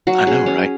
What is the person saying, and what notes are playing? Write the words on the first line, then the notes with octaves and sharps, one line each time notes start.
I know, right?
F#3 F#4
C#4 G#4
C#4